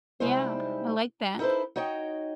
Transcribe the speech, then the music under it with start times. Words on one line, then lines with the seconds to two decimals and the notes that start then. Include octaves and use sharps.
Yeah, I like that.
0.20 C3 G3 G#3 D#4 E4 C5
1.39 D#4 E4 A4 B4 C5
1.76 D#4 F#4 C#5 D#5 G5